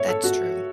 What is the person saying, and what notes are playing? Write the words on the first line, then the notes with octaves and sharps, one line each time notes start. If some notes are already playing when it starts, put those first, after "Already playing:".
That's true.
Already playing: C#5 E5
A4
F#4